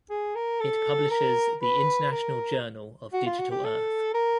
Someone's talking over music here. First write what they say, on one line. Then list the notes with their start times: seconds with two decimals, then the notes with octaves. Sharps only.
It publishes the "International Journal of Digital Earth".
0.10 G#4
0.35 A#4
0.60 A4
1.11 A#4
1.62 B4
2.11 A#4
3.13 F#4
3.26 F4
3.39 F#4
3.51 G4
3.64 A4
4.14 A#4